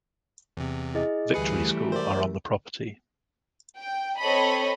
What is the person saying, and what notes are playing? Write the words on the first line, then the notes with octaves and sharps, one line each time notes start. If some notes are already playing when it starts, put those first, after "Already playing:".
Victory School are on the property.
E2 C3
E4 G#4 D#5
D2 E3 G3 A3 G#4 B4 C#7
A#4 C5 D5
G5
C4 A4 C#5 D#5 B5